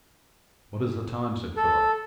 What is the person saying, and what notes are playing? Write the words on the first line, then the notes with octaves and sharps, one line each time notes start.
"What is the time?" said Philip.
A4